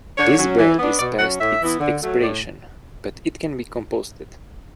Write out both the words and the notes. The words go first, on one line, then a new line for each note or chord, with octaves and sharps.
This bread is past its expiration, but it can be composted.
D3 C#5
F#3 C#4
E3
B3 D4
B2 D5
F#3 C#4 F#5
A2 E5
E3 B3 E4
D3
F#3 A3
A2 D5